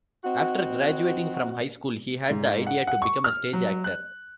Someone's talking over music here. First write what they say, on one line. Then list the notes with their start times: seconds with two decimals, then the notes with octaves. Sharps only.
After graduating from high school, he had the idea to become a stage actor.
0.24 C4 D#4 F#4
2.30 G#2
2.67 F#5
2.87 F#5
3.02 C#6
3.24 F6
3.53 F#3
3.84 F#6